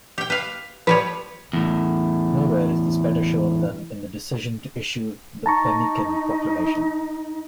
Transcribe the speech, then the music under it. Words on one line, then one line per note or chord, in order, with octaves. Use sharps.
Nowhere is this better shown than in the decision to issue the Pemmican Proclamation.
G4 G5
B4 F5
F3 G3 B4 C#5
E2 A2
D#4 A5 A#5 C#6